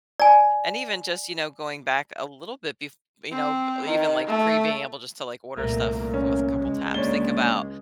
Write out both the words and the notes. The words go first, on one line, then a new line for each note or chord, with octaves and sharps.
And even just you know, going back a little bit bef you know, bu even, like, pre being able just to, like, order stuff with a couple taps, think about
D5 G#5
C4
D#3
A3
C2 A#2 A3 A#4
C#4
C#2 G#3
D3 A#3 C#5 D5 G7